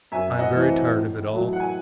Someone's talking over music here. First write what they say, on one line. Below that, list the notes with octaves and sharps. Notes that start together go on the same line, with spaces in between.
I am very tired of it all....
F#2 E5 G#5
D#5 F#5
E3 A3 C4
A2
F#3 A3
F#5
G#5